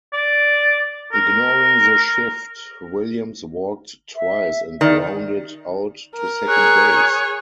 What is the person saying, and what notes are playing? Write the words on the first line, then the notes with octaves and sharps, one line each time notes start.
Ignoring the shift, Williams walked twice and grounded out to second base.
D5
A#4
E5
D#3 D5
A#4
G#4 C#5 F#6